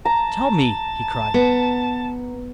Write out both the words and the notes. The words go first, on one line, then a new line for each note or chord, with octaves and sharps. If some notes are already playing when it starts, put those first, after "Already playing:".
"Tell me!" he cried.
A5 A#5
B3